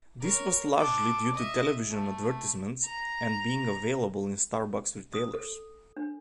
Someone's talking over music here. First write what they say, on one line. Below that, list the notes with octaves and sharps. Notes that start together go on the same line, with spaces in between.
This was largely due to television advertisements and being available in Starbucks retailers.
A#4 C#5
A4 D6
D#5 E5
A3
A#5
D#6
A4
D4